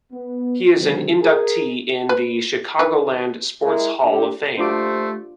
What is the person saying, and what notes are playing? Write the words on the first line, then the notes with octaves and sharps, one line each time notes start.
He is an inductee in the Chicagoland Sports Hall of Fame.
B3
B2 D3 D#3 F#3 G#3 C4
G#4 A#4
B4
D#3 B4
G#3 E4 A#4
D3 G4
A3 D4 F4 G4 C5 D6